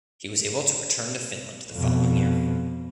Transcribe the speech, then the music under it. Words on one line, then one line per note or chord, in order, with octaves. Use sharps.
He was able to return to Finland the following year.
F2 B2